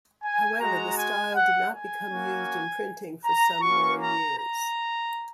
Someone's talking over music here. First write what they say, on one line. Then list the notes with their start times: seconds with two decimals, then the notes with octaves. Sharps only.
However, the style did not become used in printing for some more years.
0.23 G#5
0.60 G#3 F#4 A#5
0.98 G#5
1.35 F#5
1.73 G#5
2.11 A#3 C#4 F#4
3.24 A#5
3.61 A#3 C#4 F#4 C#6
4.00 A#5
4.36 A#5